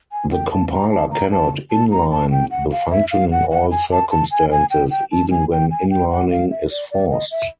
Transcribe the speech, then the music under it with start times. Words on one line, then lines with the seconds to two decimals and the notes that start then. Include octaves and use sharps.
The compiler cannot inline the function in all circumstances, even when inlining is forced.
0.12 G#5
0.32 G5
0.51 A5
0.72 A#5
0.92 A5
1.11 A#5
1.32 A5
1.71 A5
1.91 A#5
2.11 A5
2.31 G5
2.51 F#5
2.71 F5
2.91 E5
3.11 F5
3.32 F#5
3.51 F#5
3.71 G#5
3.91 A5
4.11 A5
4.31 G#5
4.52 G#5
4.71 G5
4.91 G5
5.12 A5
5.31 G#5
5.52 G5
5.71 G#5
5.91 G5
6.11 F#5
6.31 F5
6.51 E5
6.71 D5
6.91 D5
7.11 D#5
7.31 E5